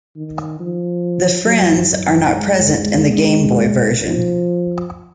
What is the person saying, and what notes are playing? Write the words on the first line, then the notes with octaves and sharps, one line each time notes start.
The "friends" are not present in the Game Boy version.
D#3
F3
F#3
F#3
G#3
G#3
F3